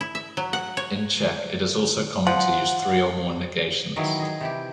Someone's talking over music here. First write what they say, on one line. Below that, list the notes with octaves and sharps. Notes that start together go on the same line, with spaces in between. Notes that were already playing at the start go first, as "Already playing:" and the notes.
In Czech it is also common to use three or more negations.
E4
E5
F#3
F#5
C#5
F3 F#5
D#3 E3 F#3 E4 G#4
G#4 D#5
C3 E3 G4